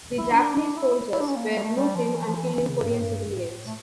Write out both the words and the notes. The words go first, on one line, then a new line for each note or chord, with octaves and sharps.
The Japanese soldiers were looting and killing Korean civilians.
E4
C#4
D4
D4
E4
E4
D4
C#4
A#3
A#3
G3
A3
G3
F3
E3
F3
E3
F3
E3
C#3
G2
A2
G2
G2
A2
A3